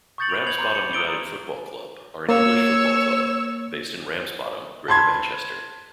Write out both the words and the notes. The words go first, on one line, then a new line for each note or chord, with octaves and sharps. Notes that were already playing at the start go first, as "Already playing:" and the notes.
Ramsbottom United Football Club are an English football club based in Ramsbottom, Greater Manchester.
C#6 D#6 G6 A6 C#7 F#7
B5 D7 F7
G#6 C7 F7 F#7
A#5 C6 D6 G6
C#7
A#5 D#6 E6 D7 G7
A#3 C#5 E6
A5 B5 C6 G#6